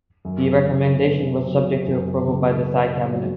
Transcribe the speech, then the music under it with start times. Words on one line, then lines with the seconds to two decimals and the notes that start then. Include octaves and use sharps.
The recommendation was subject to approval by the Thai cabinet.
0.25 F#2
0.65 C#3
1.05 B3
1.46 F#3
1.86 F#2
2.26 C#3
2.67 B3
3.07 F#3